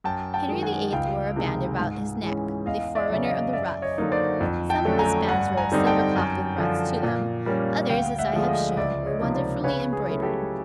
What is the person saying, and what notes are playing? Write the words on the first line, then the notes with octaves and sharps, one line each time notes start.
Henry VIII. wore a band about his neck, the forerunner of the ruff. Some of his bands were of silver cloth with ruffs to them, others, as I have shown, were wonderfully embroidered.
F#2 G5 A5
G5 A5
D#3 G#3
F#5 G#5
C#2 F5 G5
C3 D#3 G#3
G#2
E3 G#3 C#4
E2 D#5 F5
D5 E5
C#3 F#3
D#5 F5
F#2 D5 E5
C#5 D#5
D3 F#3 A#3 D#4
C5 D5
F2
G5 A5
D3 F#3 A3 C#4
G#5 A#5
G2 F#5 G#5
G#5 A#5
D3 G3 C4 D#4
G5 A5
F#2
D3 F3
A#2
G3 A#3 C#4
D2 F5 G5
E5 F#5
D3 F3 G#3
D#5 F5
C#2 D5 E5
C#5 D#5
C3 F3 A#3 D#4
C5 D5
C#3 B4 C#5
G#4
F#3 A3 C#4 E4
G4 A4